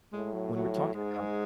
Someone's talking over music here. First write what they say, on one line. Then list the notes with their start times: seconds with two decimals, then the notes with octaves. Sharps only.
when we're talking about
0.13 A2 G#3
0.33 F#3
0.54 A2 F#3
0.74 F#3
0.94 G#2 G#3